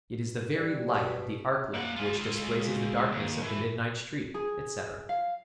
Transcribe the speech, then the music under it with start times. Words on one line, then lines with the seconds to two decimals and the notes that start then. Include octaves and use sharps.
It is the very light of the arc-lamp which displaces the darkness of the midnight street, etc.
0.55 G3
0.94 B2
1.74 A#3 F#5
1.96 G#3 F4
3.12 D#2
3.43 E3
4.34 G#4
5.09 F5